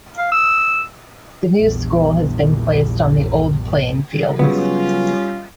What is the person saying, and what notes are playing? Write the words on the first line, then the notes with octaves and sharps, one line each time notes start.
The new school has been placed on the old playing fields.
F5
E6
A#1 E2 G2
C#3 F#3 G3 B3 C#4 F4